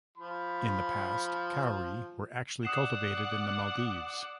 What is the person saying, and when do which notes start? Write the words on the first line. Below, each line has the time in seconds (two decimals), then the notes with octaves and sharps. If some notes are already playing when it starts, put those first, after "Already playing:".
In the past, cowry were actually cultivated in the Maldives.
0.17 F3 B5
2.63 D5 F#5 D#6 C7 E7